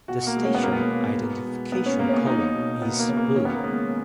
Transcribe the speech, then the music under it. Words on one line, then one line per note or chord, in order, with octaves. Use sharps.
The station identification colour is blue.
B2 F#4
A#3
G#3
C#4
B3
B2 A#3
B3
G#3
B2
G#3
A#3 B3
C#4
C#3 A#3
C#4
B3
A#3 D#4
B2
A#3 B3
A#3
C#3
A#3
D#3 C#4
B3
A#3
G#3 B3